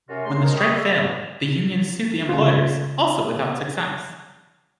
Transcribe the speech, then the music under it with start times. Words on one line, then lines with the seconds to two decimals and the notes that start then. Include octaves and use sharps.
When the strike failed, the union sued the employers, also without success.
0.09 F#2 C3 C#4 F4 F#4 A#4
0.25 C#3 A3 D#4 C6
0.43 G#2 B2 G#3 D#4 A#4
0.56 G5 C#6 D#6
0.71 D5 E5
2.29 C#3 F4